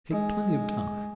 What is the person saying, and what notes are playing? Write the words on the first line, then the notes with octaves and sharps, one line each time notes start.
Take plenty of time.
G#3